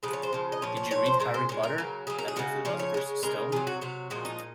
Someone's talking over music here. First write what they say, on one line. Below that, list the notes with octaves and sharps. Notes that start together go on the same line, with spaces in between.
Did you read Harry Potter and the Philosopher's Stone?
C#3 F3 G#3 G#4
C#5
C5
C#3 F3 G#3
D#5
A#2 F3 C#5
C#5
A#2 F3 C#5
C5
A#2 G#3 A#4
C5
A#2 G#3 C#5
A#4
C#3 F#3
C#3 F#3 G#4
A#4
G#4
C#3 F3 G#3 F#4
C#3 F3 C#5
C#5
C#3 G#3
C#3 G#3 A#4
C3 F#3 G#4
F#4
C3 F#3 F#4
A#2 F3 G#3 F#4
D#4
A#2